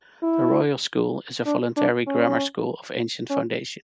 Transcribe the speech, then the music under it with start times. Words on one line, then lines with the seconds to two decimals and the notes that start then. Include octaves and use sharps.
The Royal School is a voluntary grammar school of ancient foundation.
0.23 E4
1.46 D4
1.77 D4
2.07 C#4
3.30 C#4